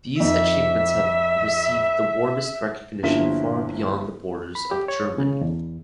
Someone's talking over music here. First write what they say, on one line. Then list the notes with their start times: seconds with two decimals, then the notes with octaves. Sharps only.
These achievements have received the warmest recognition far beyond the borders of Germany.
0.20 F2 D#4 E5
3.03 G1 G2 F3 A#3 E4 B6
4.55 B5
4.71 G4
4.88 C#5
5.18 C#3
5.41 E2